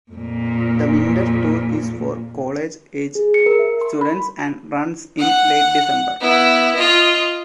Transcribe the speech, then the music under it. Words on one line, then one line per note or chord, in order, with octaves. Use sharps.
The winter tour is for college-age students and runs in late December.
F2 A#2
G#4
C#7
A#4
E5
C6
B5
F#5
B3 E4
F4 D#5